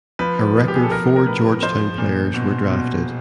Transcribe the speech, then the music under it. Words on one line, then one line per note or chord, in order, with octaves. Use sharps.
A record four Georgetown players were drafted.
F3 B4
F3
G4
G#4
A4
F3 A#4
A#4
A2 B4
F3 C5
A#2
B2
B2